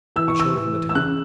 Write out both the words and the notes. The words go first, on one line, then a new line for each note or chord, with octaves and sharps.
I showed him the towel.
E3 E6
C#6
E6
E3
E6
C#3 F#6